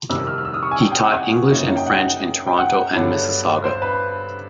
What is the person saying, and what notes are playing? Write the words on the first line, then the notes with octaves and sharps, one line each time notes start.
He taught English and French in Toronto and Mississauga.
F2 C3 D#3 G3 E6
F6
F6
E6
D#6
C#6
G#5
G5
G5
F#5
F#2 C#3 F#3 A#3 D#4
G5
F#5
G5
F#5
G2 D3 F#3 B3
C5
B4